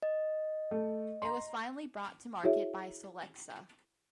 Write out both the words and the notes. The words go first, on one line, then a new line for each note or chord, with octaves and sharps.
It was finally brought to market by Solexa.
D#5
A3
A#5 C6
E4 F#4 G#4 C#5 E5